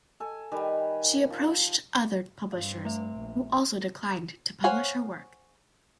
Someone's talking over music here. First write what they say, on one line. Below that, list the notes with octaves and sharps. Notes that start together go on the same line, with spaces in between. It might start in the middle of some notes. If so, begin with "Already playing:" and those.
She approached other publishers, who also declined to publish her work.
A4 G#5
D#3 G3 B4 G#5
F3
G2 C4 F5
A3 E5
A#1
C5 C#5 F5 F#5 G#5